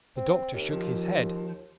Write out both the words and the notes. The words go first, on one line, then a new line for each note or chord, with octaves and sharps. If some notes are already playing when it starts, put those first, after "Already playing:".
The doctor shook his head.
C4
D#2
F3